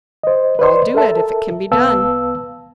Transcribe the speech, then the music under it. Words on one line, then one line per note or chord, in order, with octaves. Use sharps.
"I'll do it--if it can be done."
C5 D#5
B4 C5 D5 D#5 C6
A4 A#4 E5 A5
C2 B3 B4 F5 A5 E6